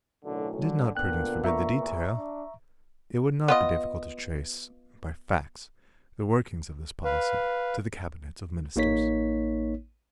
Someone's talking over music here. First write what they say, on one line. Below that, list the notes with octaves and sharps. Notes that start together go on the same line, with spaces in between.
Did not prudence forbid the detail, it would not be difficult to trace, by facts, the workings of this policy to the cabinets of ministers.
B1 F#2 A2 D3
D3 G3
A#2 D3 A#3 B3 G5 F#6
E5 A#5 C#6
E2
D4
B3 F4 D#5
B4 F5
A1 A#3 D#4 C#5 B6